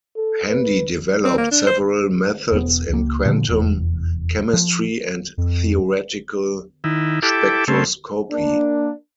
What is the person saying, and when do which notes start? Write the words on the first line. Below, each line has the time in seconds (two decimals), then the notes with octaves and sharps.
Handy developed several methods in quantum chemistry and theoretical spectroscopy.
0.16 A4
0.49 B4
1.25 C4
1.38 A#3
1.51 D4
1.67 C5
2.52 E1 B3
2.89 C#2 A#3
3.25 A#2 D3 F3
3.48 F1 E2
4.54 F3
5.38 F2
6.84 D#3 E4
7.22 E4 G4 A4 D6
7.68 C#3 A3 C4
8.31 A#3 D4